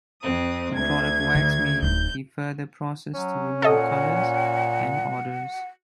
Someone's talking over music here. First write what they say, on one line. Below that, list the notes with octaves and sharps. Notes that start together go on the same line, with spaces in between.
The product wax may be further processed to remove colors and odors.
F2 C4 D#6
D2 G#6
D3
D1 D#4 G6
F#3 C#4
A#2 A4 D#5 F#5